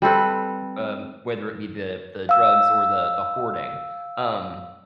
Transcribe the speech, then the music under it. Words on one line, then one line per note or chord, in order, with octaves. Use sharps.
um, whether it be the the drugs or the the hoarding, um,
G3 C4 A4 B4
F5 E6